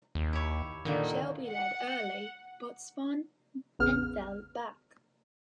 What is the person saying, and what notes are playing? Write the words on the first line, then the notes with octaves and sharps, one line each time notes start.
Shelby led early but spun and fell back.
D#2
E4 G4 C#5
A#2 D3 D#3 A#3
F#5
A1 E2 C#3 B3 F6